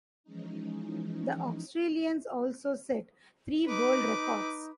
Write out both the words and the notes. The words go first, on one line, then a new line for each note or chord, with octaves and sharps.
The Australians also set three world records.
E3 F3 G#3 C#4 D#4
D#4 B4 D6